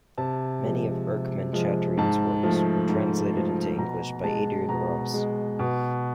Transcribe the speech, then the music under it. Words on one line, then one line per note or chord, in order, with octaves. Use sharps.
Many of Erckmann-Chatrian's works were translated into English by Adrian Ross.
C3 A5
F3 G#3
C3
F3 G#3
G#2 A5
F3 A3
G#2
F3 A3
B2 A#5
G#3 A5
B2 A#5
G#3
B2